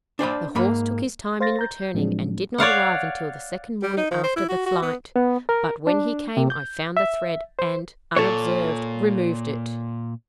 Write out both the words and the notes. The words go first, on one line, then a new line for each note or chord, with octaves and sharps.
The horse took his time in returning, and did not arrive until the second morning after the flight, but when he came I found the thread, and, unobserved, removed it.
D4 C5 D5 B5
G#2 A#3 B5
C5 F5 C6 A6 A#6
A#5 G6
A2 F3 F#3 G#3 C4 D4
C#5 D5 F5 F#5
G3
D#4
F3
C5
E4
F#4
F#4
B3
B3
A#4
D4
C3
G6
E5
C5
A#2 A4 C#5